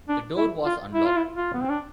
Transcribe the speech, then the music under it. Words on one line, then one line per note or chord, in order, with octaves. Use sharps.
The door was unlocked.
D4
E4
F4
E4
F4
E4
F4
B3
C4
D4